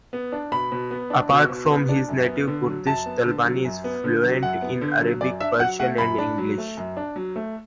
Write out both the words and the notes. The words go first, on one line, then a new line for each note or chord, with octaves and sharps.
Apart from his native Kurdish, Talabani is fluent in Arabic, Persian, and English.
B3
D4
B2 B5
B2
B3
D4
B2
B2
B3
D4
F#2
B3
D3
F#3
F#2 A5
B3
D3
F#3
F#2
B3
D3
F#3
F#2 F#5
B3
D3
F#3
F#2 D5
D4 E5
F#3 F#5
A3 F#5
F#2 B5
D4
F#3
A3
F#2
D4
F#3
A3